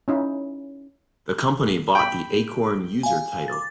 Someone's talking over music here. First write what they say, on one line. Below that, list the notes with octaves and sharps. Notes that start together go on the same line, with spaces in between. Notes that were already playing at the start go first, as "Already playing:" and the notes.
The company bought the Acorn User title.
C#4 D#4 E4
G5 B5
F5 G#5
D6 A6